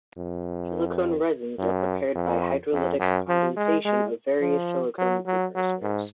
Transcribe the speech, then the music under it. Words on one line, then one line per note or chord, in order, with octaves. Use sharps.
Silicone resins are prepared by hydrolytic condensation of various silicone precursors.
F2
F#2
F2
F2
F#2
F3
G#3
G#3
F3
F#3
F#3
F#3
G#2